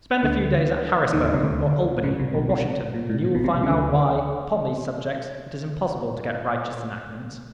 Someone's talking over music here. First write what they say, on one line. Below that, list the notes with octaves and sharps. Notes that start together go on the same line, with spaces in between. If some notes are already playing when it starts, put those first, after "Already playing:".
Spend a few days at Harrisburg, or Albany, or Washington, and you will find out why, upon these subjects, it is impossible to get righteous enactments.
D2 D3
D#2 D#3
D2 D3
C2 C3
D2 D3
C#2 C#3
C2 C3
B1 B2
C2 C3
A#2
A2
A#2
B1 B2
C2 C3
C2 C3
C#3
D2 D3